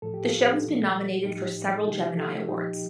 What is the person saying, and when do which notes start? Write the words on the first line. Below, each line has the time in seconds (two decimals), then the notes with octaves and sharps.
The show has been nominated for several Gemini Awards.
0.02 A2 F3 A4
0.14 G4
0.25 F4 A4
0.64 A#2 F3
1.26 A2 F3 D#4 G4
1.75 A4
1.87 C3 F3 D#4 G4
2.17 F4 A4
2.48 A#2 F3 D#4 G4